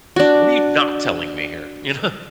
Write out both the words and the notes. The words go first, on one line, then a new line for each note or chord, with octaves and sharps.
"What are you not telling me here?" You know?
D4 F#4